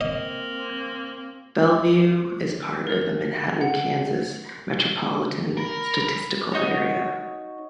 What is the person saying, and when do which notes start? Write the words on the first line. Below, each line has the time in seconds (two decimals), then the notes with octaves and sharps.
Belvue is part of the Manhattan, Kansas Metropolitan Statistical Area.
0.01 A#3 C4 D#5
2.87 A#4
3.61 F#5
5.57 A#4 B5
6.52 D#4 F#4 C#5